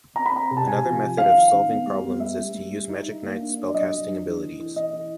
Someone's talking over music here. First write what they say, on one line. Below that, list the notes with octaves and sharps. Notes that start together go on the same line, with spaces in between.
Another method of solving problems is to use Magic Knight's spellcasting abilities.
C4 A#5
B5
C4 A#5
C3
A5
C3 G#5
F3
F3
D#3 F5
D#4
D#3
B3
G3
B3
G3 E5
G3
G3
G3
D#4
D#4
A#3
D4
D4
D5
F#3 D#5
F#3
D4
E3
E3
E3
E3 D#5
E3